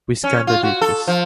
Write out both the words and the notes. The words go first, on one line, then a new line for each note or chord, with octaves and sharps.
We scan the ditches.
C#4
F4
F#4
A4
F3